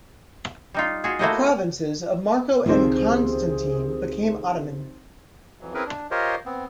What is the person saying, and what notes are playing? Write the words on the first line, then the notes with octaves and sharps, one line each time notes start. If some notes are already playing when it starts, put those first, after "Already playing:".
The provinces of Marko and Konstantin became Ottoman.
G3 D#4 F4
F4 F#4 G#4
A3 A#3 E4 F#4 C5 D#5
C#2 C3 D#3 F3 C4 D4 G#4
F2 E3 F#3
C4 C#4 E4 G#4 A#4 B4
D4
F4 G4 A#4 C5 C#5 D#5
B3 C4